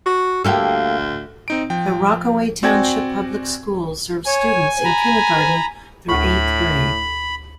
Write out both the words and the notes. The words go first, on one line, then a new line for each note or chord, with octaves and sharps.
The Rockaway Township Public Schools serves students in kindergarten through eighth grade.
F#4
D2 A#3 G4 A4
C4 D#4 D7
F3 G5
C4 F#4 D5 G5 G#5 G#6
C#5 G#5
A#5 B5
D2 A2 B5 C#6